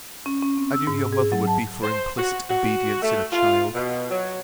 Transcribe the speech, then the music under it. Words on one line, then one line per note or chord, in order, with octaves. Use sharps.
I knew your mother would be for implicit obedience in a child.
C#4
C#4
C4
E6
G#2
G#4
F#3
A5
C5
F#4
F#4
A3
F4
B2
F#3